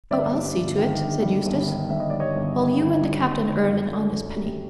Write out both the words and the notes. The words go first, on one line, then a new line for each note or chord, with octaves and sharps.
"Oh, I'll see to it," said Eustace, "while you and the Captain earn an honest penny."
G1 D5 E5
G2
G1
D#3
G1
G2
G1
D#3
G1 E5
D#5
G2 D5
C#5 D#5
G1
D#3
G1
G2
G1
D#3
F#2
D3
F#2
G3